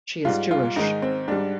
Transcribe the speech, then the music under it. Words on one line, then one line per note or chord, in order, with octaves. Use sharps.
She is Jewish.
G#2 G3 F4
F4
G#2 D#3 G#3 D#4
C4
G#2 G3 D4